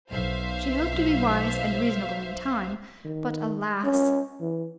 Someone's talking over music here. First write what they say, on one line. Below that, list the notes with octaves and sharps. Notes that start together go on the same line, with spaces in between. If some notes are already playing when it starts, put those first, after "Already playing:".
She hoped to be wise and reasonable in time; but alas!
B1 C5 E5 F5
D#3
C#4
E3